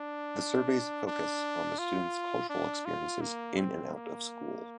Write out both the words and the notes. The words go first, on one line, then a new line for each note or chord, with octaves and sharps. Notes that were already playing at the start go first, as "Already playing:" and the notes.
The surveys focus on the students' cultural experiences in and out of school.
Already playing: D4
D4
F4
D4
F4
A#3
C4
A#3